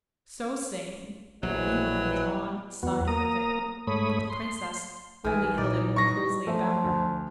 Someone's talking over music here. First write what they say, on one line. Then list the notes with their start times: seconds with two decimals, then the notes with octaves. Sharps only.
So saying he would have drawn aside her veil; but the princess only held it more closely about her.
1.43 A#1 B2 E3 F#3 G3
2.83 E2 B3 F#4
3.08 A#3 A#5 D#6
3.87 G#2 A3 C#5 B5 D#6
4.30 C6
5.25 B1 D#3 E3 G#5
5.58 A#2 D#4 D5
5.96 C#6 A#6
6.47 F3 A3 E5
6.84 D2